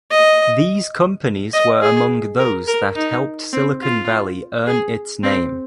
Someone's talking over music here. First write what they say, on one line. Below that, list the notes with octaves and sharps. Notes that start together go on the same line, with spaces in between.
These companies were among those that helped Silicon Valley earn its name.
D#5
D#5
G#4
A#4
A#4
D#4
C4
F4
G#4
C4